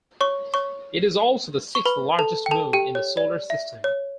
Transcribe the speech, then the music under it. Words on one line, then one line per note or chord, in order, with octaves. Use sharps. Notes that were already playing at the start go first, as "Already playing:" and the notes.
It is also the sixth-largest moon in the Solar System.
C#5 C#6
C#5 C#6
C#6
B4 B5
A4 A5
G5
A4 A5
G4 G5
C#5
D5
E5
C#5